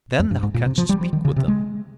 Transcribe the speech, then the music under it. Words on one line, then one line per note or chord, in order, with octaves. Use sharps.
Then thou canst speak with them.
F2
G2
G#2
A#2
C3
F3
G3
F3
D#3
C#3
C3
G#3